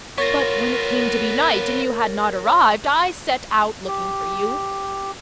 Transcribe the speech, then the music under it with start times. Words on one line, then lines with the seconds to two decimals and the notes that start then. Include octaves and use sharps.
But when it came to be night and you had not arrived, I set out looking for you.
0.18 B3 F4 A#4 C#5 A6 A#6
3.88 G4